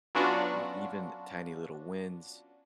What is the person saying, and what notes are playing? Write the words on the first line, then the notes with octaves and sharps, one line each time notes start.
Uh, even tiny little wins
F#3 B3 C#4 D4 F4 F#4